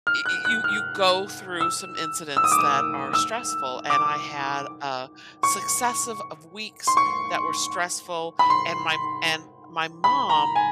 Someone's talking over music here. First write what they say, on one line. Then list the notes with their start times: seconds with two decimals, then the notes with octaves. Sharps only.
y y you you go through some incidents that are stressful, and I had a successive of weeks that were stressful, and my and my mom
0.07 F6
0.26 F#6
0.45 F#6
0.64 F6
1.61 E6
2.37 E6
2.44 D#6
2.52 D6
2.58 D#6
3.13 E6
3.90 D6
5.43 C#6
6.87 C6
6.97 C#6
8.39 B5
8.50 C6
10.04 B5
10.30 A#5
10.56 G#5